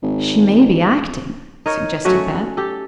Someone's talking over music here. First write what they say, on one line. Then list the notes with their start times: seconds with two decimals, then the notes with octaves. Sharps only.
"She may be acting," suggested Beth.
0.03 G#1
1.66 D#4 A#4 C#5
2.05 F#3 A3 C#4 F#4
2.57 G4 A4